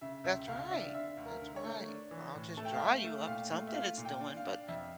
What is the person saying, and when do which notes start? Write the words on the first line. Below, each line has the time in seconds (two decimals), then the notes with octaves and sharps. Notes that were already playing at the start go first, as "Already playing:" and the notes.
That's right. That's right. Or, "I'll just dry you up." Something it's doing, but
0.01 C#3 E5
0.24 C#2 E5
0.48 C#2 F5
0.71 D4 E5
0.94 D3 E5
1.17 D2
1.26 A#4
1.41 D3
1.56 C#5
1.64 A3
1.88 D4
2.11 E3
2.35 A2
2.57 A3 A5
2.65 G5
2.73 F5
2.81 A3 E5
3.04 A3
3.27 A#2 F5
3.51 A3
3.68 E5
3.74 F4 F5
3.98 A#2
4.05 G5
4.21 D4
4.37 F5
4.45 D4
4.68 F2 E5